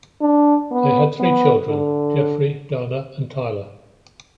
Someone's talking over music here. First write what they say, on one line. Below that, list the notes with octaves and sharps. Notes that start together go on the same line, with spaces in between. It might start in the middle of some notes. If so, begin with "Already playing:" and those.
They had three children: Jeffrey, Dana and Tyler.
D4
B3
B3
D3